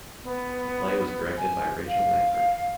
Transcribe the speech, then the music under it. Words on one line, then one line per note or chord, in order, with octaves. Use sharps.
The play was directed by Rachel Lampert.
B3
G#5
F5